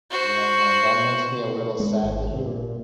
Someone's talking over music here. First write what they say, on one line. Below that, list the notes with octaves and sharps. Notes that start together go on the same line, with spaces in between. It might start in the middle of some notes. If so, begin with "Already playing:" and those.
Yeah, man. That makes me a little sad to hear.
F#4 C5
G#3
G#1
C3
A#2